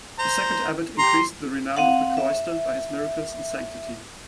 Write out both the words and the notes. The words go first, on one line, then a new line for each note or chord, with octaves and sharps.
The second Abbot increased the renown of the cloister by his miracles and sanctity.
C5 A#5
G4 A#5 C6
C4 F5 F#5
E5